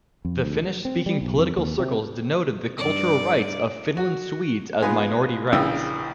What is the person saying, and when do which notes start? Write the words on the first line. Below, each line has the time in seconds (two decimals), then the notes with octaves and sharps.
The Finnish-speaking political circles denoted the cultural rights of Finland-Swedes as minority rights.
0.25 F2
0.44 D2
0.64 F#3
0.85 C4
1.06 G3
1.22 B1
1.39 F2
1.57 D#2
1.79 C3
2.78 G2 D5
3.97 F#4
4.82 G#3 B3 D#4 F4 B4 G#5
5.52 A#1 C#3 E3 G5 D#6 E6